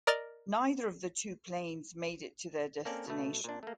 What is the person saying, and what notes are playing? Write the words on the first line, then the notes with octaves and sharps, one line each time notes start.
Neither of the two planes made it to their destination.
A#4 D5 D#5 F6 A6
A#3 C4 C#4 A4 D5 F5
B2 A3
A#2 D4
A3 A#3